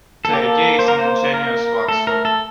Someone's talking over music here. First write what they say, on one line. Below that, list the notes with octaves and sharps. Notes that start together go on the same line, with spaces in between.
The idea is an ingenious one, sir.
A#3 A4
G4
A4
C5
A#4
C5
A#4
A3 A4
A#4
A4